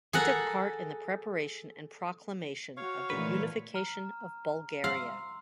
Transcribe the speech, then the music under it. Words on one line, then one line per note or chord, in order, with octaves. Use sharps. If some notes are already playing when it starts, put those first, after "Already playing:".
He took part in the preparation and proclamation of the Unification of Bulgaria.
G#4 A4 F#5 A#5
F#4 C#5 F5 C#6
A#2 D3 E3 A3 B4
A#5 F6
F5 C6 E6